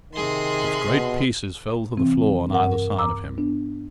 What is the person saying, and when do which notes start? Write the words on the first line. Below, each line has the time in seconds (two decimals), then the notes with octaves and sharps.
Its great pieces fell to the floor on either side of him.
0.13 C3 D#3 G#4 C6
0.89 B2
1.97 C3 E3 C4
2.51 G2 A#4 F#5
2.72 A#4
2.98 A#5 D6 E6
3.38 B3 D4